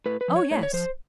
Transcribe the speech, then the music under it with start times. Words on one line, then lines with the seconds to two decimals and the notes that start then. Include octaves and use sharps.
Oh, yes.
0.06 A2 B4
0.21 B4
0.28 F3
0.36 C#5
0.51 A2 C#5
0.63 C#5
0.73 F3 C5